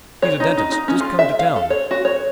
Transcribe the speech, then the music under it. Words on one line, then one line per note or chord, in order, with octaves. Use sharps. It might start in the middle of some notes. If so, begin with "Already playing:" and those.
He's a dentist, just come to town.
C#5
D#4
D#4
D#4
C#4
F4
E5
F5
A4
C#5
F#4
C#5